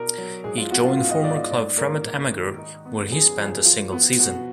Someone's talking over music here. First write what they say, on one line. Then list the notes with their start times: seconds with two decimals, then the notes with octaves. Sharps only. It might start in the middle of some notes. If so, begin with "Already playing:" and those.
He joined former club Fremad Amager, where he spent a single season.
Already playing: B2 D4 F#4 A#4
0.18 F#3
0.44 G#2 G#4
0.58 F4
0.70 B3 F#4
0.85 F4
0.97 G#2 F5
1.11 D#5
1.24 F#3 D5
1.37 D#5
1.51 G#2 D5
1.78 A#3 A#4
2.05 G#2
2.31 D#3
2.58 D#4
2.85 B3
3.11 F#2 G#4
3.39 F3
3.65 F4
3.92 B3
4.19 B2 F#4